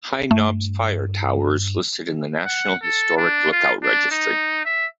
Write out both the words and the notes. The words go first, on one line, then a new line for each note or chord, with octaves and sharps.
High Knob's fire tower is listed in the National Historic Lookout Registry.
G2 A3
F#5
A4
D4
F4
D4
D#4
E5